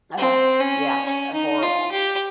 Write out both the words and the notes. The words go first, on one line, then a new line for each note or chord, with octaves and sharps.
ugh, yeah, uh horrible.
C4
C#4
C#4
D#4
F4
G4